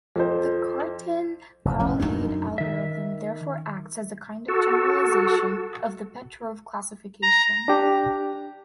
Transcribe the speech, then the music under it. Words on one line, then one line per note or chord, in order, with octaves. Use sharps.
The Cartan-Karlhede algorithm therefore acts as a kind of generalization of the Petrov classification.
F2 C5
F1 E2
G3 C#4
F#2 D4 D#4
D#3 E5
F#4 A4
A#5
D4 G4